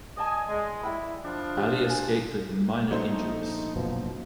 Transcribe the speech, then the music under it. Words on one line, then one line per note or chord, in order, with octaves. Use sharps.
Ali escaped with minor injuries.
D5 D#5 G#5 A5
G#3
E4 D5 G5 B5
F3 D4 F4
G4 D5 F5
G#5
A#1 A3 D#4 C5
F#1 B2 F3